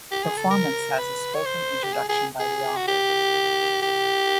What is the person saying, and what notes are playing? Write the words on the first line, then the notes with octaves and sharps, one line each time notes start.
The performance has a spoken introduction by the author.
G4
G#4
A4
A#4
B4
C#5
C5
G4
G#4
G#4
G#4
F#4
G4
G4